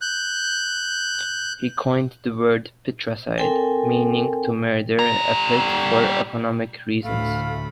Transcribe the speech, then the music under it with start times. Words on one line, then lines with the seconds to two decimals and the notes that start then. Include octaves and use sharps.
He coined the word "Pitracide", meaning "to murder a pit for economic reasons".
0.01 F#6 G6
3.38 C4 A4 A#4 G5 G#5
4.99 G3 A#5
7.03 D2 A2 A3 F5 B5